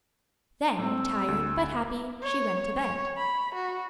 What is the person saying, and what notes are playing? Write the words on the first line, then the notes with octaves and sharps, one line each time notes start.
Then, tired, but happy, she went to bed.
A2 C4 E6
D2
C#5
C#5
B5
F#4